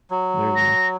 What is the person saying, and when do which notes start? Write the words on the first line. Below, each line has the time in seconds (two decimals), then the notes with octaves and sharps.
There you go.
0.11 F#3
0.56 A#6